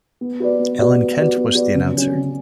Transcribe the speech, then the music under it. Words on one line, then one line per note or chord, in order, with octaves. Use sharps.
Alan Kent was the announcer.
B3
F#4 B4 D5
B3
F#4 B4 D5
B3
F#4 B4 D5
B3
F#4 B4 D5
C#3
F#3 C#4
C#3